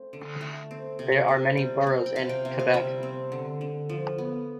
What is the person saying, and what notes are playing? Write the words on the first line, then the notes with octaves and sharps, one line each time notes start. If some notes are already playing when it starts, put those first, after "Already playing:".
There are many boroughs in Quebec.
Already playing: A3 C4
D3
A3
C4
C3
C3
G3
C4
G5
C3 F5
G5
C3
F5
G3 E5
C4
D3
D3
F3
B3